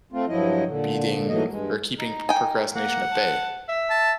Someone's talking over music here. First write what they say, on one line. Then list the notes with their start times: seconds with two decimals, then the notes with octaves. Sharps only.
beating or keeping procrastination at bay.
0.13 A3 C4 F4
0.29 G2 F3 F#3 E4 D#5
0.67 A#2 D3
1.29 G#2 E3 F#3 A3 A#3 D#5
1.50 G2 G#3
1.99 D#4
2.29 G5 G#5
2.75 A#3 F#5
3.12 A5
3.69 E5
3.90 A5